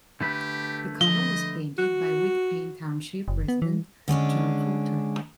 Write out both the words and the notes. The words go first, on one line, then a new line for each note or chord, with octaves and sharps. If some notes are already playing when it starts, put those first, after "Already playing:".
The cover was painted by Whitpain township resident John Falter.
D3 A3 G4 B4
F3 D#5 G7
F#4
F#1
B3
E3
D3 G#3 C#4 D4